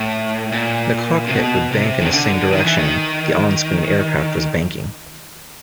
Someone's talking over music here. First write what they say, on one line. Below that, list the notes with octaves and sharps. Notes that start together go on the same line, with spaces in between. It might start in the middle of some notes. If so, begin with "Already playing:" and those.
The cockpit would bank in the same direction the on-screen aircraft was banking.
Already playing: A2
A#2
C3
B2
C3
D#3
D3
D#3
E3
D#3